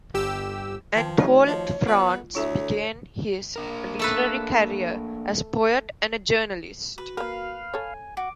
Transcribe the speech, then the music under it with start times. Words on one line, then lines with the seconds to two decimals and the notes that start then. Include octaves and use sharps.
Anatole France began his literary career as a poet and a journalist.
0.14 G1 G4 E6
0.95 D#3 F3 G5 A5
1.18 A3 D#4 F#4 C#5
1.47 F3 D#5 A5
1.87 B3 F4
2.35 D2 E4 A4 C#5 E5
3.56 A#3 D4 A#4
3.99 A3 A4 B4
6.98 F#4 B4
7.17 A#3 A#4 B4 F5
7.74 A4 C#5 G#5
8.17 F#4 D6